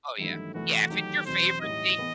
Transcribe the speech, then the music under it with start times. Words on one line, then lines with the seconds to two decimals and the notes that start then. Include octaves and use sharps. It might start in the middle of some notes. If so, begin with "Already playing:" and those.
Oh, yeah. Yeah. If it's your favorite thing
0.18 A1 G2 D#3 F#3 A3 E4
0.54 E2 C3 E3 A3 E4 F#4
0.89 D#2 D#3 F#3 A3 G4
1.26 E1 E2 B2 F#3 C4 C5
1.60 A2 E3 G3 D#4 D#5
1.98 E3 B3